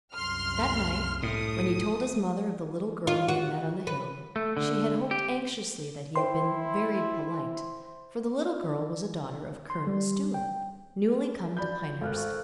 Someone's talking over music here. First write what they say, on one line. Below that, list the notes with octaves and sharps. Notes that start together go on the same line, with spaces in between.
That night, when he told his mother of the little girl he had met on the hill, she had hoped anxiously that he had been "very polite," for the little girl was a daughter of Colonel Stuart, newly come to Pinehurst.
C2 F#2 C6 F6
A2 D#6
F4
F#4
B4
A3
D3
G4
E4 C5 G5 C6
C6
G3
G5
F4 F#4 D5 B5 G6
G#1 A4 F6 F#6
C5 C#6